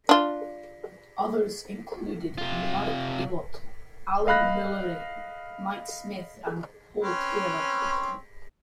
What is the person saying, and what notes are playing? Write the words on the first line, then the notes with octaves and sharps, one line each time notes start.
Others included Mark Ilott, Alan Mullally, Mike Smith and Paul Taylor.
D4 F4
C3 F4
D#5 F5 B5 F#6 A#6
C4 C#4 B4